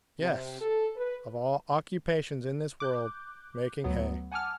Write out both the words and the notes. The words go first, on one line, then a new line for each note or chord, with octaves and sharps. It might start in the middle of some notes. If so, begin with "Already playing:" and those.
Yes, of all occupations in this world, making hay!
C3
A4
B4
D6 F#6 G6
D2 F#3 B3
F#5 G#5 A5 D6 E6 F6